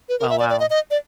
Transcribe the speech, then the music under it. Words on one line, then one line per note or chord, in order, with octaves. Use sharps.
Oh, wow.
B4
A#4
E5
D5
D5
D#5
D#5
D5